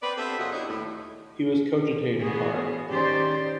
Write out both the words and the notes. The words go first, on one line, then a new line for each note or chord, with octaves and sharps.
He was cogitating hard.
C4 B4 D5
B3 C4 D4 G4 A4 E5
F#2 C#3 F#3 F4 F#4 D#5
D4 E4 G4 C#5 D#5
D#2 A2
E3 B3 F#4 G#4
D#3 C#4 G4 C5 D5